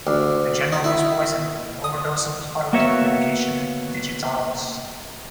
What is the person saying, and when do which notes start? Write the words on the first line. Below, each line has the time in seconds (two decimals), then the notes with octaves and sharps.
The General was poisoned with an overdose of the heart medication digitalis.
0.07 D2
0.72 D#4
0.84 E4
1.84 D#6
2.73 A#3 B3 F#4 C#5 E5